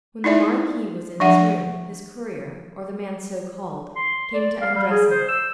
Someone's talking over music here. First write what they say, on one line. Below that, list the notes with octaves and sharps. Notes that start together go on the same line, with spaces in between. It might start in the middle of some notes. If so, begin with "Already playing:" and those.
When the Marquis was in his room, his courier, or the man so called, came to undress him.
D#4 E4 D5 E5
F3 D4 E5 F#5
C6
D5
F5
G3
G#4
C5
E6